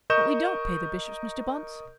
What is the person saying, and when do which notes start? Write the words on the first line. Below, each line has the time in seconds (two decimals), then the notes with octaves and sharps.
"But we don't pay the bishops, Mr. Bunce."
0.10 A#4 D#5 C#6 G6 E7